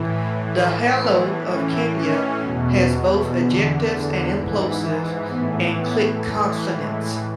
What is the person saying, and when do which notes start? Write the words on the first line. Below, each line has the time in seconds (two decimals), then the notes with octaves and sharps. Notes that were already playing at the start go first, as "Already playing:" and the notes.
Dahalo of Kenya, has both ejectives and implosives and click consonants.
Already playing: A2 E3
0.44 A2 E3
0.94 B3
1.41 A2 E3 C#4
1.89 C#4
2.39 E2 B2
3.35 E2 D3
4.31 G#2 E3
5.28 A2 E3 B3
5.76 B3
6.24 A2 E3 A3
6.73 G#3